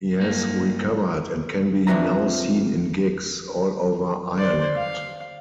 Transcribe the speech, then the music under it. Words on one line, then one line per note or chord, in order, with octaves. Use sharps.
He has recovered and can be now seen in gigs all over Ireland.
G2 A#3
F2 F3 D4 B4 E5 A#5
C5 D5
F5